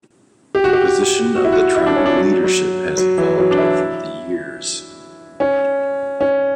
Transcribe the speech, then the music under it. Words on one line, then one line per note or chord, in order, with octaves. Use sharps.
The position of the tribal leadership has evolved over the years.
G4
F#4
G4
F#4
E4
F#4
E4
D4
C#4
D4
F#3
F#3
F#3
E3
F#3
D4
E4
C#4
C#4